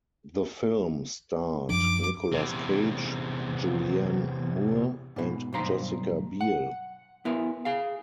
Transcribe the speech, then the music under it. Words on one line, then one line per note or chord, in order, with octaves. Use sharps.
The film starred Nicolas Cage, Julianne Moore, and Jessica Biel.
F#2 F3 D4 D6
E2 C3
G#2 B2
B1 G2 C5 A#5
F#5
B3 E4 A#4
G#4 F5